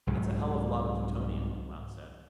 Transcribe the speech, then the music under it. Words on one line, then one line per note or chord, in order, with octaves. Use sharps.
"That's a hell of a lot of plutonium," Blount said.
C2 G#2 F#3